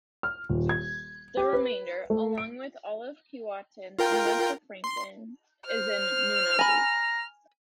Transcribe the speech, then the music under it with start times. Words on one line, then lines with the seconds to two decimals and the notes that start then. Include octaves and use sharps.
The remainder, along with all of Keewatin and most of Franklin, is in Nunavut.
0.23 F6
0.49 D#1
0.69 G#6
1.37 G4
1.53 B4
2.10 A3
2.38 D7
3.99 F4 A#4 G5
4.84 C6
5.67 C5 F6
6.59 G#5 A#5 B5